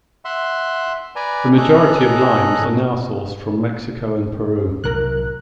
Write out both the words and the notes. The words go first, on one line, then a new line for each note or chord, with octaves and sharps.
The majority of limes are now sourced from Mexico and Peru.
E5 F#5 C6
B4 D5 G#5 A#5
G#4 A4 C#5 D#5 A#5 F#6
C2 A2 F#3 A#4 F#6